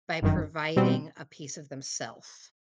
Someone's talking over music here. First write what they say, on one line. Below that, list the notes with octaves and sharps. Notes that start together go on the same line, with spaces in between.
by providing a piece of themself.
G1 F#2 D#3
B2 G3 C4